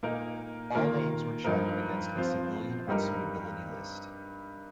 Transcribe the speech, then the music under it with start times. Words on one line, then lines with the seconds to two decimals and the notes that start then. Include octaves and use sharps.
All names were checked against a civilian unsuitability list.
0.03 A#2 A#3 D#4 A#4
0.75 D#3 A#3 F4 A#4
1.44 G2 F3 D#4 A#4
2.15 F3 C4 F4 C5
2.88 G2 G3 D#4 A#4